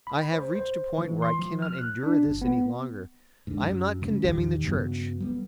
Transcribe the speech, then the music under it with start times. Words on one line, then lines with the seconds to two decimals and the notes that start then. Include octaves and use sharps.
I have reached a point where I cannot endure this any longer. I am not condemning the Church.
0.07 B5
0.32 C5
0.55 C5
0.98 E3
1.22 C6
1.39 F3
1.62 F6
1.79 F#6
2.03 D4
2.26 G1
2.41 B3
3.47 G#2 D3
3.62 F#2
4.02 C#3 G#3 C4 C#4
4.24 A#1 E2 D#3 G3
4.64 G2 C#3 F#3 B3
5.20 G3 B3